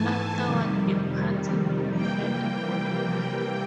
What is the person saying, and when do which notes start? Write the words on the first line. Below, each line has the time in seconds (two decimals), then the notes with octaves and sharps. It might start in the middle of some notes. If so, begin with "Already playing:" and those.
Afterward, a party would be held for the "maiko".
Already playing: G#2 E3 A3 G#5 A5
0.43 F2 C3 D#3 G3
1.95 C3 E3 G3 A#3 G5